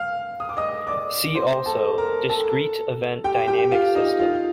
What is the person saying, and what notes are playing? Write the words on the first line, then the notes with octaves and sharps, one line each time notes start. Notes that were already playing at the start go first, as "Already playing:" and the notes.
See also, Discrete event dynamic system.
Already playing: F5 F6
D#6
D6
D#5 D#6
D5 D6
C5 C6
A4 A5
A#4 A#5
A4 A5
G4 G5
G4 G5
F4 F5
D#4 D#5
F4 F5